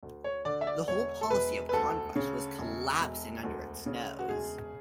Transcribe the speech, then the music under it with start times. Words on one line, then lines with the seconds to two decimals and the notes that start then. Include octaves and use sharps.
The whole policy of conquest was collapsing under its nose.
0.03 D2
0.24 C#5
0.45 D3 D5
0.61 E5
0.67 D5
0.88 E1 C#5
1.21 A4
1.30 E1 B4
1.69 B4
1.73 D2 A4
2.16 C#3
2.59 E1
3.01 E1
3.43 D2
3.86 C#3
4.19 F#4
4.29 E1 G#4